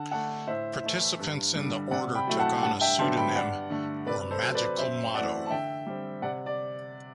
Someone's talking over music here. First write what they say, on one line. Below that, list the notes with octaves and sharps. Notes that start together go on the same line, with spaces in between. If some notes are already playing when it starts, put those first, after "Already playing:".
Participants in the Order took on a pseudonym or "magical motto".
Already playing: D3 F#5 A5
A3 D4 F#5 A5
A2 C5 E5
E3 A3 E4
G2
D3 G3
C3 D5 F#5
G5 B5
F#3 A3 E4
F#5 A5
G2 F#5 A5
E5 G5
D3 F#3 B3 D4 A5 C6
G5 B5
G5
G2 D5 F#5
D3 A3
C3 B4 D5
A4 C5
F#3 C4
B4 D5
F#2 C5 E5
E3 A3 C4 D5 F#5
A5
D3 E5 G5
G3 C4
C3 D5 F#5
D5